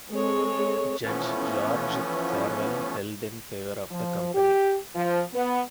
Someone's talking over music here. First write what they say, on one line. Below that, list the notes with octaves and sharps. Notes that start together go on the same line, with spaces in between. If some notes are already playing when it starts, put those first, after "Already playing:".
Judge George Farwell held in favour of the company.
G#3 C4 A4 C#5
E3 F3 A3 B3 C#4
F3
G4
F3
B3